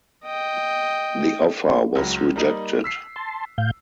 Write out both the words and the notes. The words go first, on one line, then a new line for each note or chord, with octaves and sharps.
The offer was rejected.
D#5 G5
C#2 F#3
G3 A#3 D#4
E6 B6 C7
A5 C6
A2 F5 G6